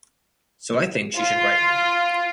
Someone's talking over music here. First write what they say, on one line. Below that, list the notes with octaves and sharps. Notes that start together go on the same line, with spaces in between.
So I think she should write more.
F4